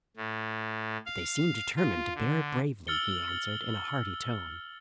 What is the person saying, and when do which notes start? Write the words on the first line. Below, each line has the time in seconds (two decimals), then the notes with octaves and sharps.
"But they seem determined to bear it bravely," he answered, in a hearty tone.
0.17 A2
1.06 F5
1.77 F4
2.15 D3
2.87 E6 F6 A6 C#7 G7